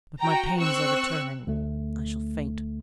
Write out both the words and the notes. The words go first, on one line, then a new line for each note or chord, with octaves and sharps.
But my pains are returning, I shall faint.
F#4 G5 A#5
C4 C#6 E6 F#6
D2 A3